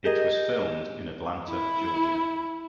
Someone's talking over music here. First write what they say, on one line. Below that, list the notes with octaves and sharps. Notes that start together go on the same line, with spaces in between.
It was filmed in Atlanta, Georgia.
G4 G#4 A#4 D#5
E4